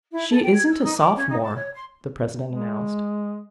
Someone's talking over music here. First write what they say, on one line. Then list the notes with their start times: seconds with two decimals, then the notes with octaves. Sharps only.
"She isn't a sophomore," the president announced.
0.12 E4
0.30 A4
0.42 G5
0.55 G#6
0.71 E6
0.84 D#4
0.97 D6
1.15 C#4
1.29 D#4
1.42 A5
1.55 C#5
1.74 C6
2.48 G#3